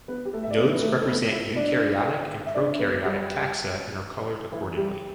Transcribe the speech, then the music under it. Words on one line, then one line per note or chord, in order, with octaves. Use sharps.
Nodes represent eukaryotic and prokaryotic taxa and are colored accordingly.
B3 B4
G4
A3 A4
E5
D5
B3 B4
B4
A3 A4
A4
B3 B4
E4 E5
D4 D5
E5
D4 D5
B3 B4
G3 G4
E3 E4
G3 G4